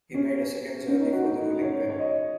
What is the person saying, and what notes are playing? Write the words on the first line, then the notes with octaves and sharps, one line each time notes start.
He made a second journey for the rolling-pin.
C#4
C#4
D#4
F#4
D#4
C#5
C#5
D#5